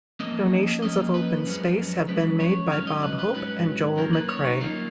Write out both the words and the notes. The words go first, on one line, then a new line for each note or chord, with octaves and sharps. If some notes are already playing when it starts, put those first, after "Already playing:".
Donations of open space have been made by Bob Hope and Joel McCrea.
F2 F3 A#3 C#4 D#5
F2 F3 A#3 C#4 D#5
B4
F#2 F3 G#3 C#4
F#2 F3 G#3 C#4 B4
C#5
G#2 F#3 C#4 F5
D#5
B4
B4
G#2 F#3 C#4 B4
F#2 D#3 A#3 A#4
B4
C#5
D#4
F#2 D#3 A#3 F4